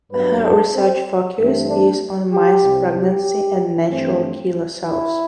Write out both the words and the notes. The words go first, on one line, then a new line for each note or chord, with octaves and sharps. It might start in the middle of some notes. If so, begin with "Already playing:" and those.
Her research focus is on mice pregnancy and natural killer cells.
G2 F#3 B3 B4
A4
C4
G2 E3 A3 C4
D4
G4
C2 C3 G3 C4
G4
G2 E3 A3 C4
E4